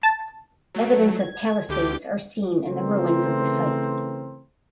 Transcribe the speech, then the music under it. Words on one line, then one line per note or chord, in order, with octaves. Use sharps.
Evidence of palisades are seen in the ruins of the site.
A5
F#3 A3
G#6
D2 D3 G4 D6 G6
C#3 E3 A3 C4 A#4 C5